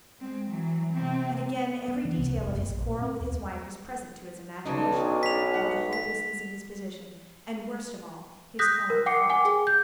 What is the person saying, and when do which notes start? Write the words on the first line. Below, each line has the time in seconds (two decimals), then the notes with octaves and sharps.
And again every detail of his quarrel with his wife was present to his imagination, all the hopelessness of his position, and worst of all, his own fault.
0.20 G#3 C4
0.49 E3 F#3
0.93 C3 C4
1.88 B3
2.05 E3
2.17 C2
2.35 E1
2.51 F#1
2.69 A#1
2.89 A#2
3.01 C4
3.20 D#2
4.65 B1 C#3 D4 D#4
5.23 B6 F7
5.54 F#5
5.93 B6
8.59 D#6 F#6 G6 A#6 B6
8.90 A#4
9.06 F#5 G5 D6 C7 C#7
9.30 F#5 G#5 D6
9.45 G#4
9.67 G6